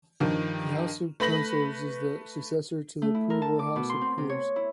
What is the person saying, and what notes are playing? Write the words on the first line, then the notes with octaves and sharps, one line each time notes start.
The House of Councillors is the successor to the pre-war House of Peers.
G2 D#3 F3
A3 B4 B5 A#6 F#7
A3
E4
A#4
A5
D6
B2
C6
C4
C3
C#5
E4